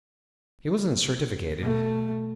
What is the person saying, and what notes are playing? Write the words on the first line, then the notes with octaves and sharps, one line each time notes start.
He wasn't certificated.
B2 A3